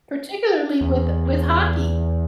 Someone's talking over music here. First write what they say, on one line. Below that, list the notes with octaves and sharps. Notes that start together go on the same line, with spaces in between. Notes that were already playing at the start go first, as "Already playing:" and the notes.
Particularly with with hockey.
E2